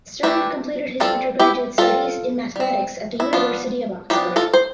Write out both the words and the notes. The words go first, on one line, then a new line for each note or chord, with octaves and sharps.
Sterne completed his undergraduate studies in mathematics at the University of Oxford.
E3 A3 D4 E4 G4
G3 C4 F4 A4
E4 G4
G3 C4 F4 A4
G3 C4
E4
F3 B3 D4 F4
F3 B3 D4 E4 G4
F4 A4
C5